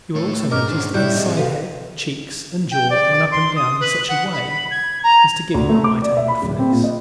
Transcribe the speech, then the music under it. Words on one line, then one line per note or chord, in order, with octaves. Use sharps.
You will also notice that his side-head, cheeks and jaw run up and down in such a way as to give him a right-angled face.
A3 C#5
G#2 C#4 A#4 D#5 D6 F6
D4 C5
A2 G3 E4 C#5 F#6 G6
C4 G#4 D#5
C3 F#4 A4 B4 E5 F5
G5
D5
C6
D#6
B4
F#5
B5
G#6
A#5
D2
A3
D6
D5
E5
B5
D1
C4
A#2
D#5